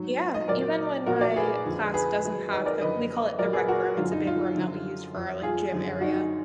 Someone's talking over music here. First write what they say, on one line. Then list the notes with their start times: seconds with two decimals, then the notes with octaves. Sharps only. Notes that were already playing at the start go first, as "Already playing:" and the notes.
Yeah, even when my class doesn't have the we call it "the rec room", it's a big room that we use for our, like, gym area.
Already playing: G#2 F#3
0.34 D#5
0.48 A#2 F#3 A#4 D5
1.06 A#2 F3 F#4 A#4
1.21 A#4 D5
1.36 G#4 B4
1.65 F2 D3 F3
1.94 G#4 B4
2.23 G#2 D#3 F#3
2.51 B4 D#5
2.66 A#4 D5
2.81 F#2 D3 F3 B4 D#5
3.39 A#2 F#3 A#4 D5
3.53 G#4 B4
3.68 F#4 A#4
3.97 F#2 D3 F#3 F4
4.11 D#4
4.27 F4
4.55 F#2 D3 F3
5.14 F2 F3
5.42 F4 G#4
5.72 F#2 D3 F3
6.00 D#4 F#4